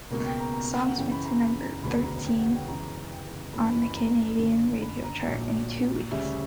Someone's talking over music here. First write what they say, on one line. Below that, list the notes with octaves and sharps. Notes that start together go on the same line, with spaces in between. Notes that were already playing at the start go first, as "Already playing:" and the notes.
The song went to number thirteen on the Canadian radio charts in two weeks.
C#2 B2 A#3 A#4
G5
A#5
A#5
A#5
G5
F#5
F#2 C#3 E3 G5
B5
A#5
B5
A#5
E1 D2 C#3 F#3 B3 B5
A#5
G5
F#5
G5
F#2 C#3 E3 A#5
G5
F#1 F#2 E3 A#3 B5
B5
B5
A#5
F#1 F#2 D3
B5
A#5
A#1 A#2 F#3
D2 C#3 G3 C#4 E5